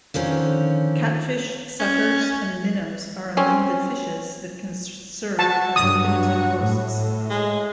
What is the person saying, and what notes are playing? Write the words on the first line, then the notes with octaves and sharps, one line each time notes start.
Catfish, suckers, and minnows are among the fishes that can serve as definitive hosts.
D3 D#3 F3 C#4
C#4
C4 C#4
F#4 A5
G2 F#3 D#6
A2
G#3